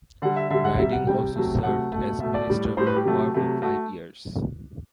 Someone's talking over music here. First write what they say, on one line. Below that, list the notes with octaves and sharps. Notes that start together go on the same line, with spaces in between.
Ryding also served as Minister for War for five years.
D3 G3 F#5
E5
D3 G3 E5
F#5
C3 G3 E5
F#5
C3 G3 G5
C3 F#3 A3
C3 F#3 A3 F#5
B2 A3
B2 A3 E5
D5
A2 G3
A2 G3 C5
B4
G4
C3 F#3 A3
C3 F#3 A3
A3 F#4